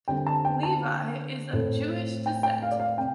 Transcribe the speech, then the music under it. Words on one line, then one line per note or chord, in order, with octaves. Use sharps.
Levi is of Jewish descent.
D3 G3 C4 G5
A5
G5
A5
A2 A3 C4
G5
G5
F5
D5
F5
C3 G5